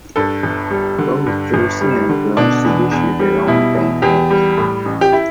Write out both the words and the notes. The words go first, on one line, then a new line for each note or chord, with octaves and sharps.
Both Jersey and Guernsey issue their own banknotes.
G2 A4
G1
G3
D3
G2
G1
G3
D3
B2 D4
E2
E2
G3
B2 E4
E2
E2 G4
G3
A2
A1
G4
E4